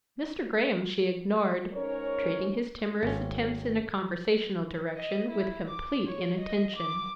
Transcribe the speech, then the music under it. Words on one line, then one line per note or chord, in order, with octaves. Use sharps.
Mr. Graham she ignored, treating his timorous attempts in a conversational direction with complete inattention.
G#2 C#4 A#4 C#5
G#1 C#4
D#5
E4
D6
C#5
D#5
D6